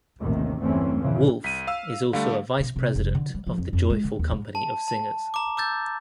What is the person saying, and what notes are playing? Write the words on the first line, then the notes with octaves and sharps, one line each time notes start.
Woolf is also a Vice President of the Joyful Company of Singers.
A1 D#2 C3 D#3
G1 E2 E3 A3 C4 C#4
A#2 C#3 E3 F3
C2 B6 D#7
F5 E6
D3 G3 A3 F5
B2
C3
F1
D3
G3
F3
F2
F2
G#3
D3
D#2
G#2
A5
A5
A#5 D6
D6 E6 G6 A6